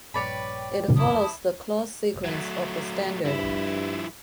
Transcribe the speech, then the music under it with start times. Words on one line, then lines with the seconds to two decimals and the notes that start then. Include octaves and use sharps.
It follows the clause sequence of the Standard.
0.14 A#1 G2 B4 C#5 D5 G5 B5
0.96 F#2 F3 E4 A5 D6 D#6
2.24 F#3 A3
3.25 G2 F3 E4